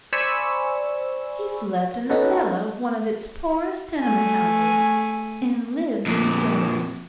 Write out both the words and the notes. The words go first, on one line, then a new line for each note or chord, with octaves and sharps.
He slept in the cellar of one of its poorest tenement houses, and lived in the gutters.
C5 D5 G#5 B5 C#6 E6
C#4 D#4 F#4 A4 B4
A3 G#5
F2 A#2